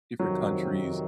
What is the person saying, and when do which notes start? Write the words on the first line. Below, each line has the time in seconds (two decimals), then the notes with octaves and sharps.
different countries,
0.19 F2 C3 D#3 F#3